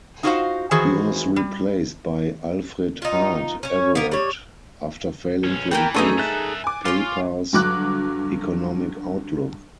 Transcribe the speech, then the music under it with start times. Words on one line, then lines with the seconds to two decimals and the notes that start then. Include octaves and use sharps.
He was replaced by Alfred Hart Everett after failing to improve Papar's economic outlook.
0.23 D#4 F4 F#4 G#4 C5 F5
0.71 D#3 E3 F#4 G#4 C5
1.36 G3
3.02 D#4 F4
3.63 C#4 C#5
3.95 A#3 B3
4.12 G3 C#5
5.44 B1 C#4
5.71 E3 G4 A#4 G5
5.94 A3 B3 D4 D#4 G#4 A4
6.18 A#4 E5 F#6 A6
6.64 G#5 D6
6.85 F4 C#5 C6
7.53 G2 D3 F#3 D6 F#6